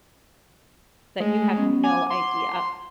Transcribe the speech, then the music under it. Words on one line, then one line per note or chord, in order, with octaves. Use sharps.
that you have no idea
G#3 A3
B3 C#4
F#5 G#5 D6
C6